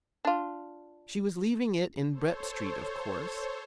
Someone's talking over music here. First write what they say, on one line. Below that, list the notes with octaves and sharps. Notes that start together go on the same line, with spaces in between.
She was leaving it in Brett Street, of course.
D4 F4
A4 C5 C#5